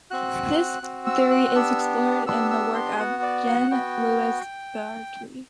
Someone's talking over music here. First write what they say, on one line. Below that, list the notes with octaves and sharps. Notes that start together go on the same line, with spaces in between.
This theory is explored in the work of Jean-Louis Baudry.
C4 F#4 F#6
C4 F#4
E6
F#6
B3 D4 G4 E6
B3 D4 G4 E6
E6
C6
B3 F#4 F#5
D5
F#5
B3 F#4 G5